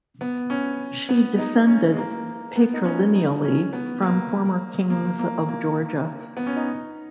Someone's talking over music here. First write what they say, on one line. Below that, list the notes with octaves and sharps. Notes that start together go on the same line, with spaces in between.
She descended patrilineally from former Kings of Georgia.
B3
C#4
B3
D#4
C#4
G#3
A#3
B3
D#4
C#4
D#4
C#4
B3
A#3
A#3
A#3
A#3
B3
C#4
D#4